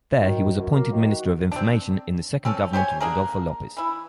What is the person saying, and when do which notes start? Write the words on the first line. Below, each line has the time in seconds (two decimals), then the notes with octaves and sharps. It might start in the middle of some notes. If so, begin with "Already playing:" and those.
There he was appointed Minister of Information in the second government of Rodolfo Llopis.
0.21 D#3 F#3
0.56 F#2
0.72 A#3
0.92 D#3
1.09 F#4
1.52 C4 D4
2.45 C4 C#4 A4
2.73 G4 C5 C#5 G#5
3.00 A#3 D4 G#4 A#4
3.77 E3 E4